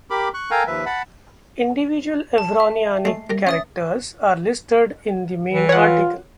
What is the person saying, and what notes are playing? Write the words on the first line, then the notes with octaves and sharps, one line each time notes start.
Individual Evroniani characters are listed in the main article.
G4 A#4 B5 D6
C#6 F#6
A4 A#4 F5 G5 G#5 A#5
D#2 F3 B4 E5
F#5 A5 B5
A5
E5
G#3 A3 C7
G3 A#4
C#4 E5 D#6 A6
E3
F4 C#5 F#5